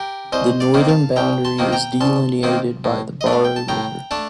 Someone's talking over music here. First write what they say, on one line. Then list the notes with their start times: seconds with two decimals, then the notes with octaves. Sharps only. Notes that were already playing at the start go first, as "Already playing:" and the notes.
The northern boundary is delineated by the Baro River.
Already playing: G4 A#4
0.33 C2 C5 D#5
0.60 D5 F5
0.74 C3 D#3 A#3
0.88 F5 A5
1.16 C2 G5 A#5
1.45 A5 C6
1.58 C3 D#3 A#3
1.72 G5 A#5
2.00 C2 A5 C6
2.43 C3 D#3 A#3
2.84 A2
3.21 D#5
3.26 A3 D4
3.32 F5
3.45 G5
3.56 A5
3.68 A2 G5 A#5
4.11 A3 D4 F5 A5